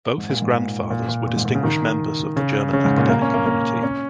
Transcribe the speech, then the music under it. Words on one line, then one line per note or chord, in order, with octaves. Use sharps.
Both his grandfathers were distinguished members of the German academic community.
G#2
A#2
G#2
A#2
A#2
A#2
G#2
A#2
C#3
D#3
C#3
C#3
G#2
A#2
A#3
C#4
A#3
A#3
C#4